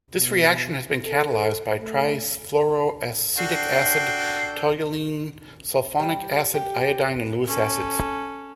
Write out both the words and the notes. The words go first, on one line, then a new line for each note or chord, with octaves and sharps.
This reaction has been catalyzed by trifluoroacetic acid, toluenesulfonic acid, iodine, and Lewis acids.
B2
A4
A3
D4 F#4 A4 G5 G6 C7
G3
G4
C#4 A4